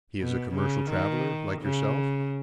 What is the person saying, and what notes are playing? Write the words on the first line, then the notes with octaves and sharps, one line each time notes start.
"He is a commercial traveler like yourself?"
B2
C#3
D#3
C#3